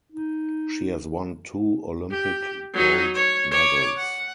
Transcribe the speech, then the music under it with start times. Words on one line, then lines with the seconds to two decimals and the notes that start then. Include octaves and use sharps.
She has won two Olympic gold medals.
0.12 D#4
2.11 G4
2.74 F#3 D#4
3.14 C#5
3.51 C#5 D6
3.97 F#5